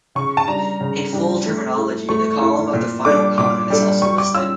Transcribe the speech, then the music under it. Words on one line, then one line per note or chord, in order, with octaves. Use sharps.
In full terminology, the column of the final kana is also listed.
C#3 C#6
A5
G3 D4 G4 A#5
C#3
G3 D4 G4
A3
E4 A4
A3 C#6
E4 A4
A#2
G3 D4 A4 D6
A#2 D6
G3 D4 A4
G3 C#6
D6
C#4 F4 E6